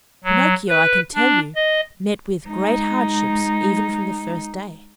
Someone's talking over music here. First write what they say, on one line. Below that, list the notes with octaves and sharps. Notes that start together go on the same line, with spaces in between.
Pinocchio, I can tell you, met with great hardships even from the first day.
F#3
B4
D4
D#5
G#3 D#4